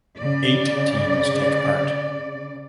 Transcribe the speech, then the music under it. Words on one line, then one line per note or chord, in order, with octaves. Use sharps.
Eight teams take part.
C#3 D5